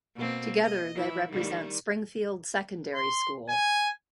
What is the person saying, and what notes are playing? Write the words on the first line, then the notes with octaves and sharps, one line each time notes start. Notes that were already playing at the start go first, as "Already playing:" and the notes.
Together, they represent Springfield Secondary School.
B2 A#3 C4
D#5
E3 E4
D#3 G3
C6
G#5